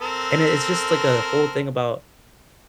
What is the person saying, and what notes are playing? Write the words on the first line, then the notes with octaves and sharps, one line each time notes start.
and it's just, like, a whole thing about
C4 A4 A#4